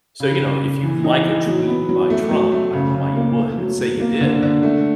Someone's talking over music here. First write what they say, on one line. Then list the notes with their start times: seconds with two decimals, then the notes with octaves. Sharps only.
so, you know, if you like a tweet by Trump I don't know why you would, but say you did
0.20 C#3
0.41 C#3
0.63 C#3
0.83 E3
1.04 D#4
1.25 E3
1.46 F#3
1.67 B3
1.89 F#3
2.10 A3
2.31 F#3
2.52 A3
2.73 C#3
2.95 C#3
3.16 A#3
3.37 A3
3.58 F#3
3.79 F#3
4.00 A#3
4.21 D3
4.43 D3
4.63 A3